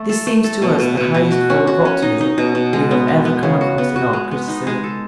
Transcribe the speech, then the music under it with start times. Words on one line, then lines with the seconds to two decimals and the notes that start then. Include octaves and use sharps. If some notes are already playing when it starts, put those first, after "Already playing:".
This seems to us the highest form of optimism we have ever come across in art criticism.
Already playing: A3
0.09 A4
0.27 A3
0.44 A4
0.62 B2
0.80 B2
0.97 B2
1.14 B2
1.32 F#4
1.50 C#4
1.67 F#4
1.85 C#4
2.02 D#4
2.21 D#4
2.38 B2
2.55 B2
2.73 G#3
2.91 B3
3.08 B3
3.25 B3
3.43 C#3
3.61 F#4
3.78 B3
3.96 F#4
4.13 G#3
4.31 B3
4.48 D#4
4.67 G#3
4.84 A4